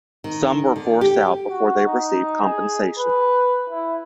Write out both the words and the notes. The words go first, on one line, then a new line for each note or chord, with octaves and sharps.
Some were forced out before they received compensation.
D#3
D3
G4
F#4
D#4
G#4
B4
E4